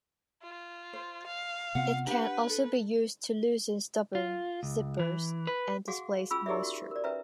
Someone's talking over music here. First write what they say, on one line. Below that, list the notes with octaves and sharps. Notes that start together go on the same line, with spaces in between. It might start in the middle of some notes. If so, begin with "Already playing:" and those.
It can also be used to loosen stubborn zippers and displace moisture.
F4
C5
F5
C3 B3 C4 F4 F#5
D4 G4 B4 F#5
A4
F4
C#2
E3
B4
F#4 G#4 F5 F#5 D6
C#4 F4 G#4 B5 E6
D#4 G4 G#4 A#4 D5 E5
F#4
A#4 D5
C#4 B4 E5 A#5